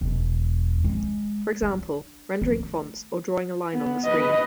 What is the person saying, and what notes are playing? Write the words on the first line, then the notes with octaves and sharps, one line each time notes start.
For example: rendering fonts or drawing a line on the screen.
E1
G#3
D4
A3
B3
B4 D#5